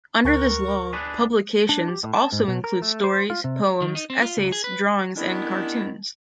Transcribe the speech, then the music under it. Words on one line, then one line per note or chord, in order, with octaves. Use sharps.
Under this law, 'publications' also include stories, poems, essays, drawings and cartoons.
D2 A#4 G5 C#6 F#6
D4 G#4 B4
D4
G4
A2
A5
G#2
B2
A#4
A3
C5
F4
C3
D#3
D#4
C4
F4
C#2
G#4
B4
D#3 G3 B3 C#4 D4 E4